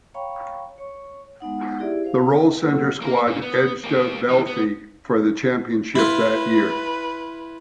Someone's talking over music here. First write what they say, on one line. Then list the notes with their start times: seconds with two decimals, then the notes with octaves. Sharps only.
The Rollcentre squad edged out Balfe for the championship that year.
0.14 C#5 F5 G5 A#5 B5 C#6
0.78 C#5 C#6
1.40 G#3 B3 D#4 F#5
1.79 E4 G4 G#4 D5 E5
2.05 C5 F5
2.62 F#3 A#3 A4 F#5 E6
3.02 A#3 A#4
3.27 A#2
3.42 B3
3.84 A#3 G4
4.29 D#3 E3
4.47 B3
5.96 E4 F4 B4